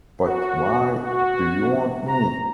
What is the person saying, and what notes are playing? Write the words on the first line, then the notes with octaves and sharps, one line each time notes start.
But why do you want me?
F#4
F#4
A#5